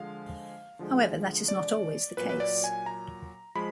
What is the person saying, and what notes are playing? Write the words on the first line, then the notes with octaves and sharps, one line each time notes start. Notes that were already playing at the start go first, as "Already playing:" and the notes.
However, that is not always the case.
Already playing: D3 F3 G#3 F5
D3 F3 G#3
D5
A#2 F#3 B4
B4
D5
G#5
A#5
F3 G#3 B5